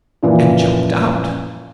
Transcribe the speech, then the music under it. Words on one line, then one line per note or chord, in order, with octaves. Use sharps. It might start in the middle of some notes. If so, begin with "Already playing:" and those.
And jumped out.
F#2 A#2 E3 F3